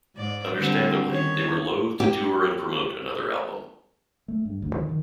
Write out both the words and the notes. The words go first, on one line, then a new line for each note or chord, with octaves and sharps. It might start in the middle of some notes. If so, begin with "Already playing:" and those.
Understandably, they were loath to tour and promote another album.
G#2 D5
D3 G3 C4
D#3 C#4 C#5
G4
A3
G2
D2
D#3
D#3